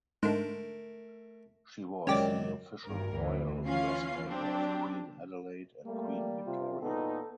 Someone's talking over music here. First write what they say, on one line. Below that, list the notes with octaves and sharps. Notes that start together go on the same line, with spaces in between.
She was the official royal dressmaker of queen Adelaide and queen Victoria.
G#2 D3 A3 A#4 G5
C#2 F#2 D#3 C#4 G4 D5
G1 G2 A#4
D2 E3
E3 C#4 F4 F5 C7
F#3 C4 D4 G4
G3 A3 A#3
C3 F4
E2 A#2 B3 D#4 A4